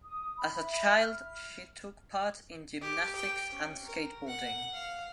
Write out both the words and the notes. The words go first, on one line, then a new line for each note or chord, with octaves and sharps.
As a child she took part in gymnastics and skateboarding.
D#6
B5
E5
F6
G4
G5
C#4
A#4
F#5
F5